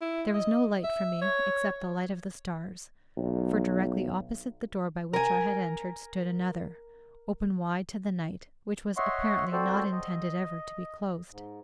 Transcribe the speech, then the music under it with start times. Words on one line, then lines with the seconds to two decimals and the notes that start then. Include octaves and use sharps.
There was no light for me except the light of the stars; for directly opposite the door by which I had entered stood another, open wide to the night, which was apparently not intended ever to be closed.
0.01 E4
0.34 D#5
0.83 E5
1.22 C#5
3.17 B1
5.13 A#4 G#5
8.97 C#5 D#5 E5 F#5 C6 C#6
9.52 C4 F#4 A4 C5 D5
9.93 D#5
11.32 G#2